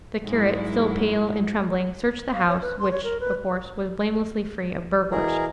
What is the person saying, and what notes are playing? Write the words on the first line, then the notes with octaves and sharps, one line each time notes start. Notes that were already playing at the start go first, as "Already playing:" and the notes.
The curate, still pale and trembling, searched the house, which, of course, was blamelessly free of burglars.
G#2 F#3 G#3 E4
F5
C#5
B4
C6
C#5
A#4
B4
B2 E3 G#4 A#4